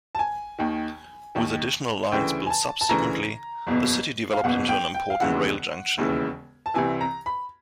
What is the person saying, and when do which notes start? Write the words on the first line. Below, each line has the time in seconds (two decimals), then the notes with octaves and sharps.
With additional lines built subsequently, the city developed into an important rail junction.
0.15 A5
0.19 G#5
0.58 D#2 D#3
1.35 D#2 D#3
2.12 D2 C#3 E3 G5
2.46 G#5
2.50 A5
2.81 A5
2.89 D2 C#3 E3 A#5
3.67 F#1 E2 B2
4.33 F5
4.44 F#1 E2 B2 F#5
4.69 G5
4.95 G5
5.10 F5
5.20 E1 D#2 C#3 E3 F#5
5.98 E1 D#2 C#3 E3
6.66 A5
6.74 C2 C3 E3 G#5
7.01 A#5
7.26 B5